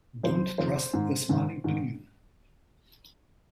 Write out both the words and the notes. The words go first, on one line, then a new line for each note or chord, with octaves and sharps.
Don't trust the smiling penguin.
F2 D#3 C5
F2 D#3 C5
G#2 D#3
G#2 D#3
G#2 D#3